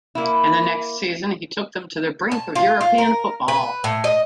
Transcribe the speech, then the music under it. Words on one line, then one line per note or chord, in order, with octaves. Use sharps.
In the next season he took them to the brink of European Football.
A#3 E4
A5
F4
F4
A#4
B4
A2
D#5